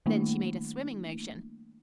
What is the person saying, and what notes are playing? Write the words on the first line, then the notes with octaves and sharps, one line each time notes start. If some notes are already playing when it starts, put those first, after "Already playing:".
Then she made a swimming motion.
D#3 G3 A3 A#3 D4 E4